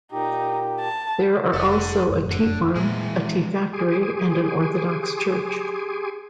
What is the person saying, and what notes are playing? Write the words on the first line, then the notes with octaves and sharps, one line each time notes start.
There are also a tea farm, a tea factory and an Orthodox church.
A#2 D#4 G4
A5
F1 A4 F#5
F1 F#2 A2
D3
A#2 E3 G#3
G4 G#4 G#5 C6 D6 D#6